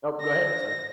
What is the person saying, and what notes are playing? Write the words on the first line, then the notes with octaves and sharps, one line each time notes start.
Oh, go ahead, sorry.
A#6